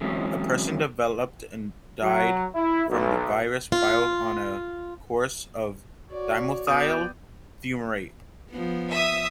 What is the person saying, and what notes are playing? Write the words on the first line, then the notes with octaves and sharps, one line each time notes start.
A person developed and died from the virus whilst on a course of dimethyl-fumarate.
D3 E3 F#3 G#3 C4 C#4
F#3
E4
B1
F4
F#4 C#5 D5
B3 B4 D5 G5 D#6
F3 B3
E5 D#6